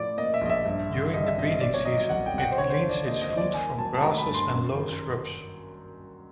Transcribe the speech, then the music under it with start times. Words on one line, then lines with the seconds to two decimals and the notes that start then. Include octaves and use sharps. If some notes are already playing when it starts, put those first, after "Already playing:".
During the breeding season, it gleans its food from grasses and low shrubs.
Already playing: A2 F3 D5
0.17 A#3 D#5
0.34 E5
0.41 A#1 D#5
0.49 E5
0.65 G2
0.90 D3
1.13 G3 D#5
1.26 E5
1.38 G#1 D#5
1.61 B2 D5
1.74 C#5
1.85 F#3 D#5
1.97 D#5
2.09 C2 F#5
2.26 G5
2.34 C2 F#5
2.41 G5
2.52 C5
2.58 D3 C#5
2.70 C5
2.74 C#5
2.81 F3
2.90 D5
3.06 A#3 D#5
3.22 D#5
3.30 D#2
3.37 D5
3.54 D#3 G#5
3.79 F#3 A5
3.95 A5
4.01 A3 A#5
4.18 B5
4.26 G2
4.34 C6
4.50 F#2
4.74 D#3